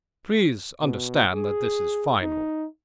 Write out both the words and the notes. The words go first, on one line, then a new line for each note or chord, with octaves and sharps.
Please understand that this is final.
B2
G#4
D#4